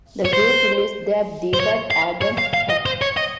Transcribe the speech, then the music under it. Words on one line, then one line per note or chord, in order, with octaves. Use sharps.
The group released their debut album Huh!?
C#5
C5
C5
C#5
F5
C#5
F5
F5
D#5
C5
C#5
D#5